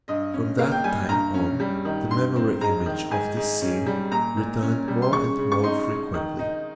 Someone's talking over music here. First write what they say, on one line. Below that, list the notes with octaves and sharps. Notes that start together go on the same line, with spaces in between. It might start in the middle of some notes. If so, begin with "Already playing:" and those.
From that time on, the memory image of this scene returned more and more frequently.
G2 D#5
C#4
A#3 F5
G5
G3 G#5
G2 A#5
C#4
G3
D#3
G2 C6
C4
G#3 A#5
D#3
G#2 G#5
G#2
C#4
G3
A#2 A#5
A#2
C#4
G3
C6
C#3 C#6
C#3
C#6
D#4 C6
G#3
D#3
D#4